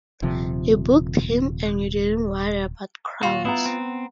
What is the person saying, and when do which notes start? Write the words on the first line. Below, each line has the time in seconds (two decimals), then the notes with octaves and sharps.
You booked him and you didn't worry about crowds.
0.22 D#1 C3 F3
3.23 D#2 A#2 F4 F#4
3.45 B3 E4 F#5 A#5
3.66 C4